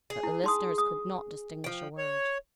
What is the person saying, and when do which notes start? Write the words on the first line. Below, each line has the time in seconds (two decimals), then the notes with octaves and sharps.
But the listeners could not distinguish a word.
0.10 G#4
0.23 E4
0.44 D#4 C6 D#6
0.78 D#6
1.64 F3 G5
1.98 C#5